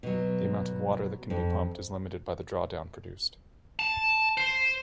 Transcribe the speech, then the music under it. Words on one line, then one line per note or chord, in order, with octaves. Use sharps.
The amount of water that can be pumped is limited by the drawdown produced.
B2 F#3
F2
A5
C5